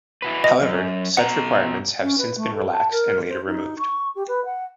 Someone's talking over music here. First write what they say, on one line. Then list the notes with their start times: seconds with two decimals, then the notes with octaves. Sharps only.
However, such requirements have since been relaxed and later removed.
0.22 E4 F#4 B4
0.44 D#5
0.62 F#2
1.17 B2 F#5 A#5
2.02 C#4
2.18 B4
2.36 A3
2.54 A4
2.71 A5
2.91 A#4
3.29 C5
3.47 D#4
3.79 C#6
4.15 G4
4.28 B4
4.45 F#5